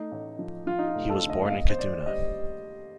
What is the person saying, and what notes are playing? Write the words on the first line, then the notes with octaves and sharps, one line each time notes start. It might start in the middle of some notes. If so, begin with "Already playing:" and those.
He was born in Kaduna.
Already playing: A3 D#4
A1
F3
F3 F4
D#4
F4
F1
A4
D3
D#5
F5
A#3 D#5
C5
D#2 D5
G3 D#5